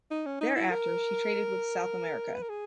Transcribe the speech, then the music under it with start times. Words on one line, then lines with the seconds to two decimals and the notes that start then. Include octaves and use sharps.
Thereafter she traded with South America.
0.11 D#4
0.26 C#4
0.41 D#4
0.56 E4
0.71 A#4
2.34 B4
2.42 A#4
2.49 G#4